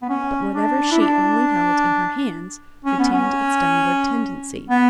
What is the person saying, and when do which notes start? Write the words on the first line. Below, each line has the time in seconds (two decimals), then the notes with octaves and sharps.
But whatever she only held in her hands retained its downward tendency.
0.02 B3
0.09 C#4
0.55 D4
0.92 E4
1.01 D4
2.85 C#4
2.99 B3
3.13 C#4
4.70 B3